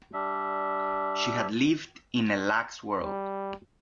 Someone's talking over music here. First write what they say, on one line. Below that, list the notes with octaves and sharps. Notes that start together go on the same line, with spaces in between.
She had lived in a lax world.
G3 D4 E5
G3